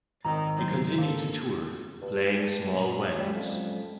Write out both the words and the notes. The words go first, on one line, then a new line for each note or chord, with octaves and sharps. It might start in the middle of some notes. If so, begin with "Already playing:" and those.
He continued to tour, playing small venues.
G#1 D#3 A#5 E6
F#3 C5
A#3 A4
G2
A#2 C#4 A#5 B5
F#2 G3 G#3 E5
F2